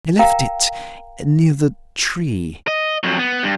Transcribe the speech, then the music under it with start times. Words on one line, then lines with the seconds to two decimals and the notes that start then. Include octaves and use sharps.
"I left it near the tree."
0.19 A#4 F5 G5 A#5
2.68 D#5
3.04 F2 F#3
3.19 B3
3.43 G2